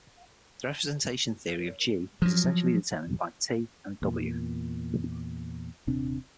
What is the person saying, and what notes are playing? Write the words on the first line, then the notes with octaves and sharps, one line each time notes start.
The representation theory of "G" is essentially determined by "T" and "W".
F3 F#3
E2 A#2
D#1 C3 C4 D4